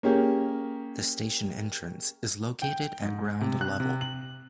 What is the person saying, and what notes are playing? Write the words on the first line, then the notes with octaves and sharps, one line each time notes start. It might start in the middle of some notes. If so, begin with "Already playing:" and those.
The station entrance is located at ground level.
A#3 C#4 G4 G#4 A#4
G5
G#2
C3
F#6
C3
F#7